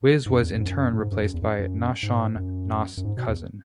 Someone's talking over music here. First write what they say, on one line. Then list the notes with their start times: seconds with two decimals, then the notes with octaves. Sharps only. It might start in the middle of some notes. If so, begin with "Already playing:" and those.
Wiz was in turn replaced by Nashawn, Nas' cousin.
0.26 G#2
0.31 F#2
0.43 E2
0.54 F#2
0.61 G#2
0.66 F#2
0.93 A2
0.99 G#2
1.12 F#2
1.22 F#2
1.34 E2
1.42 F#2
1.59 F#2
2.03 G#2
2.36 F#2
2.97 F#2
3.05 G#2
3.17 B2
3.28 E2